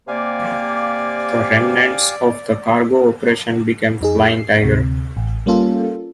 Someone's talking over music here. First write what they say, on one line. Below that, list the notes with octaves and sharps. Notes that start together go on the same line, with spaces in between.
The remnants of the cargo operation became Flying Tiger.
C3 A#3 G4 D5 F5 G#5
F2 D#4 G#4
C7
D2 C3
A1
G3 A#3 C#4 F4 A4